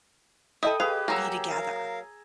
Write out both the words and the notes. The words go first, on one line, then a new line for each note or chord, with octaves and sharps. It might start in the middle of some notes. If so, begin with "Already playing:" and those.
be together,
E4 A4 D#5 G5 D#6
G4 G#4 B4 F5
F#3 A#3 G#5 A#5 E6
A#4 F5